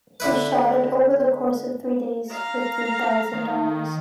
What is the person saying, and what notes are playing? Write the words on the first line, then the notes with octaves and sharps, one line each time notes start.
He shot it over the course of three days for three thousand dollars.
D3 E4 B4
F5 A#5
D#3